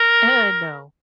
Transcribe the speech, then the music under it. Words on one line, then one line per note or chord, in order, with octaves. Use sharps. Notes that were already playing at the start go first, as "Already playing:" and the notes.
Eh, no.
Already playing: A#4